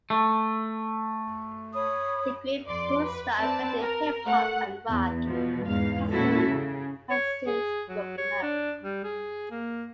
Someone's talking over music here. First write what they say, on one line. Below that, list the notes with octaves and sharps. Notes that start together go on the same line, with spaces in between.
The group, whose style blended hip-hop and rock, has since broken up.
A3
C#5 B5 D#6
F2 D5 C6 D6
B4
C4 B4 D5 A5
A#4
A3 F#5
E2
B2 F3
E2 G#2 F5
A#2 C#4 E4 F#4 A4
C#3
C#5
G#4
F#3
C#5
D4
G3
G#4
A#3